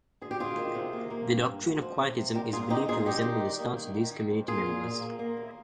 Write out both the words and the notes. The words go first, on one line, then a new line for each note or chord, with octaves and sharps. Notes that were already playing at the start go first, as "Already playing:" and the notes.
The doctrine of Quietism is believed to resemble the stance of these community members.
D2 G#4
G4
D2 F4 G#4
D#3
C3
A#3
A#3
G2
G2
D2
F3
C3
C3
A#2 G4 A#4
A#2 F4 G#4
G#3 D#4 G4
A#2 F4 G#4
G3 D#4 G4
D#3
G3
A#3
D#3
D#3
D#3
F2
A#3 F4 G#4
A#2
A#2
A#3
A#3
D#2